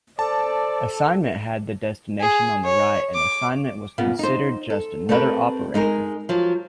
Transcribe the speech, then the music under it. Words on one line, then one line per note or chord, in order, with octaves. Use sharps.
Assignment had the destination on the right and assignment was considered just another operator.
A4 C5 D5 A5
G#4
C#5
D6
A#2 C#3 B3
D#4 C5
A4
A3 C4 G4 A#4 B4
G#3 D#4 G#4 A#4
F3 F#3